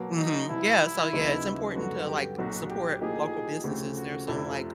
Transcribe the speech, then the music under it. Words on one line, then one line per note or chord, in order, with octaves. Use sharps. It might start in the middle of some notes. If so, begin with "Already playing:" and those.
Mhm, yeah, so yeah, it's important to, like, support local businesses. There's some, like,
Already playing: B2 F#3 A#3
D#4
C2 C3 E3 E4
D#2 C#3 F#3 B3 D#4
G2 D3 F#3 B3 F#4
G4
B1 A#2 F#3 F#4
G4
A2 F3 A#3 D#4 G4 G#4
D2 C#3 F3 A3 C4 G4
F#4
F1 F2 C3 F3 E4